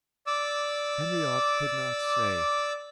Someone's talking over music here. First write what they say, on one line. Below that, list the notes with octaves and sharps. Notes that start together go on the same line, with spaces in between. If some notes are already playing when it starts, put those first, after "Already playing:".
Henriot could not say.
D5 D6 E6